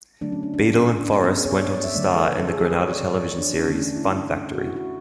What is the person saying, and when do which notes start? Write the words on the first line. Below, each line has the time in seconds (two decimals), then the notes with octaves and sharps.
Beadle and Forrest went on to star in the Granada Television series "Fun Factory".
0.21 D3 F#3 A3 D4
0.32 C#4
0.43 D4
0.54 D4
0.65 C#4
1.02 D4
1.08 C#4
1.23 B3
1.37 G#4
1.46 C#5
1.51 D5
1.57 C#5
1.62 D5
1.73 C#5
1.84 E5
1.95 D3 F#3 A3 D5
2.05 C#5
2.16 A4
2.27 B4
2.38 A4
2.49 G#4
2.59 G#4
2.70 B4
2.81 C#5
2.92 D5
3.03 D5
3.14 C#5
3.38 D4
3.53 C#4
3.67 D3 A3 C#4
3.82 D4
3.96 E4
4.54 F#4
4.65 E4
4.76 F#4